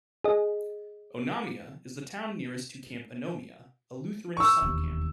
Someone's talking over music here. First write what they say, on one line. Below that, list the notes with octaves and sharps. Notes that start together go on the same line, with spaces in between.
Onamia is the town nearest to Camp Onomia, a Lutheran summer camp.
G#4 D#5
C#6 E6
E1 D#2